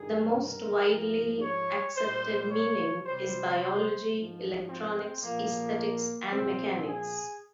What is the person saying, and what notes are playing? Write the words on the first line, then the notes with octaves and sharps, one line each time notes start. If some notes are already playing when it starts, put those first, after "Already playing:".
The most widely accepted meaning is "Biology, Electronics, Aesthetics, and Mechanics".
Already playing: G2 D#3 G3 G#4
A#4
G#2 F3
C#5
A#2 G3 C5
C#5
C3 G3 C5
C5
G#2 F3
C4
A#2 F3 A#3
A#2 F3 C4
G#4